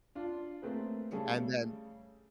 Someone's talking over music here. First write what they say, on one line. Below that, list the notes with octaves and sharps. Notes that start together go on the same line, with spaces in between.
And then
D4 F4
A3 A#3 C4 G#4 B4
C#3 G3 A3 G#4 A4